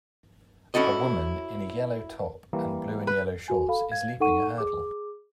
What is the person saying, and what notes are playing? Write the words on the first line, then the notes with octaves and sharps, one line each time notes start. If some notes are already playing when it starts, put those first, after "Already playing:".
A woman in a yellow top and blue and yellow shorts is leaping a hurdle.
C#4 E4 F#4 A4 D#5
E3 G3 A#3
B4
F#4 G#5
A4 F5 B5
F5 G#6
D#4 A4 F#5 C#6 D#7
G#4 D6